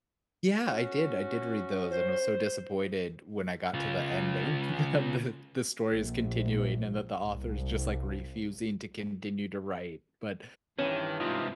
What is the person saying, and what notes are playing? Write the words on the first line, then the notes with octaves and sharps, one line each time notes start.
Yeah, I did, I did read those, and was so disappointed when I got to the end of the of the story's continuing and that the author is just, like, refusing to continue to write, but
C#4 F#4
C5
C#3 F4
A#1
C2
G2 D#3 E3 C#4
G#2 C3 D#4 F4